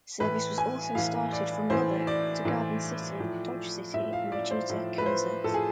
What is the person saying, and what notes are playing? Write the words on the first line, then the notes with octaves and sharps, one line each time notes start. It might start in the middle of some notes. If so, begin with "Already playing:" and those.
Service was also started from Lubbock, to Garden City, Dodge City, and Wichita, Kansas.
A2 E3 B4
G#5
A2 E3 F5
D5
A2 E3 C5
D5
A2 E3
A2 F3
A2 F3 E5
F5
D5
C5
A2 F3
B4
C5
A2 F3 A4
G#4